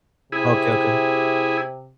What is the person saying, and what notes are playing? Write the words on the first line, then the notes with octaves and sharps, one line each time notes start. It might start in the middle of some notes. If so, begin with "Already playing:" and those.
Okay, okay.
C3 E4 G#4